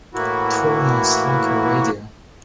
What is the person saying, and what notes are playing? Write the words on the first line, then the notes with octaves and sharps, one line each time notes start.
Turn on Slacker radio.
A2 E3 A#3 E4 F#4